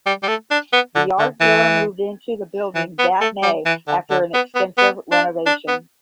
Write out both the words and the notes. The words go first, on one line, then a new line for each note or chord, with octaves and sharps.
The art dealer moved into the building that May after an extensive renovation.
G3
G3
A3
D4
B3
D3
D3
E3
E3
B3
A3
G3
E3
D3
D3
B3
B3
B3
D4
D4
B3